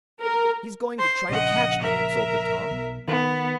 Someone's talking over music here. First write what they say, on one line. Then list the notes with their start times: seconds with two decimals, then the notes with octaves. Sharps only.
"He's going to try to catch me!" exulted Tom.
0.22 A#4
0.98 C5 C6
1.29 A#1 C#3 D#5 F#5
1.81 A#4 E5
2.71 B1
3.08 D#3 B3